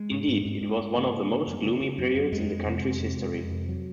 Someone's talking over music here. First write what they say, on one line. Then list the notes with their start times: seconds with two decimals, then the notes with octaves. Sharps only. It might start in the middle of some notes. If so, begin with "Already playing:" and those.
Indeed, it was one of the most gloomy periods in the country's history.
Already playing: G#3
0.11 G#2
0.28 G#2
0.45 G#2
0.61 G#2
0.80 G#2
0.95 C#3 A#3
1.13 C#3
1.30 C#3
1.47 F#2
1.64 C#3
1.81 C#3
1.98 F#2
2.15 F#2
2.32 F2 G#3
2.49 F2
2.66 C3
2.84 F2
3.01 C3
3.18 F2
3.34 F2
3.52 C3
3.69 F#3